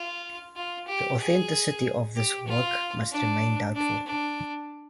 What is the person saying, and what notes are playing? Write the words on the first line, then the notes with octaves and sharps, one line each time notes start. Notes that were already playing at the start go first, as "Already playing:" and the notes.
The authenticity of this work must remain doubtful.
Already playing: F4
F4
G4
G#4
G4
F4
D4
D4
D4